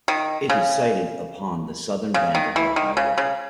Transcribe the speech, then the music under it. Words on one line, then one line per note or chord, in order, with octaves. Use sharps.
It is sited upon the southern bank of the Ohio River.
D#3
C#3
C#3
D#3
E3
D#3
C#3
C#3